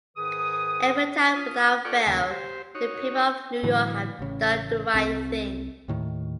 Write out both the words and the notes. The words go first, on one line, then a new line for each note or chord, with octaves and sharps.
Every time, without fail, the people of New York have done the right thing.
G#2 D#3 G#4 B4 D#6
F4 D#6
F4 A4 D5 F#5 G5 C#6
D#2 C#3 A#3
G4 C5
D#4 F#4 C#5
A2 D3 E3 F#3
A1 C#3
C2 C3 C4
D#2 A2 D#3